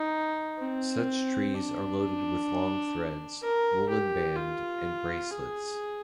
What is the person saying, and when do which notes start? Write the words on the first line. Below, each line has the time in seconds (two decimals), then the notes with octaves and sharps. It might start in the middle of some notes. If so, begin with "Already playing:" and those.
Such trees are loaded with long threads, woollen band, and bracelets.
Already playing: D#4
0.58 C4
1.54 D4
3.42 A#4
3.89 G4
4.35 F4
5.31 G#4